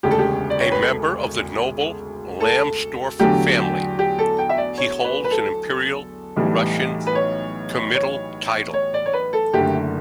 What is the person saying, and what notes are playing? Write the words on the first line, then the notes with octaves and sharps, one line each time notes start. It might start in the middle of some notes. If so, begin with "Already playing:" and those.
A member of the noble Lambsdorff family, he holds an Imperial Russian comital title.
E1 D2 C#3 G4
A4
G4
D5
C#5
B4
A4
A4
E2 D3 F#3 A3 G4
G4
A4
G5
E5
D5
C#5
B4
B4
A4
B1 A2 E3 G3
B4
C#5
C#5
C#5
D5
C#5
B4
A4
F#1 F#2 D3 A3 G4